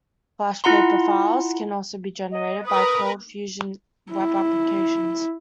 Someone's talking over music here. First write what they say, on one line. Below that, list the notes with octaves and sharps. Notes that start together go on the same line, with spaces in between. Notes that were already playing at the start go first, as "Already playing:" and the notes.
FlashPaper files can be also generated by ColdFusion web applications.
E4 F4 F#5 A#5 C6
D#5
A#4 B4 D#6
E4